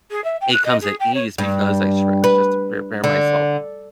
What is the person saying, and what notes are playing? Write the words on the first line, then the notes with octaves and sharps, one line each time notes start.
it comes at ease because I stretch just to prepare myself
G#4
E5
G5
F#6
D#5
G#4
G5
C#5
G2
B4
D3